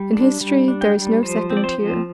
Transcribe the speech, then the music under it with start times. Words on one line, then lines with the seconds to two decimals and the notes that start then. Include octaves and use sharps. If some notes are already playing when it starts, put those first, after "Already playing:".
In history there is no second tier.
Already playing: G3
0.13 D4
0.41 G3
0.68 D4
0.81 G5
0.95 G3
1.23 F3 C5
1.50 C4
1.57 D5
1.64 C5
1.78 F3